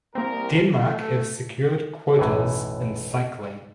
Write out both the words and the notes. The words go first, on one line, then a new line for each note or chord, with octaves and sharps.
Denmark have secured quotas in cycling.
C2 A#3 C4 A#4
A3
B1 F#2 A2 E3